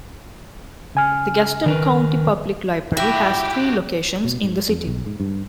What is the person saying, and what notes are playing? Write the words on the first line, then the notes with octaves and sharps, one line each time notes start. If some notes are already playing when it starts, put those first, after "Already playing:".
The Gaston County Public Library has three locations in the city.
C#3 G#5 F6
D#3 A#4 B4
E4 F#4 G4 E5 G5
B2
G#2
F2
B1
G#2
G2